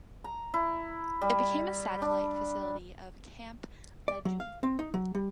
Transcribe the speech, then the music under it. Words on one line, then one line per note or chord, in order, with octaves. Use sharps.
It became a satellite facility of Camp Lejeune.
A#5
E4
G3
D4
D5
F#3
F5
C4
D#4
F#3
G3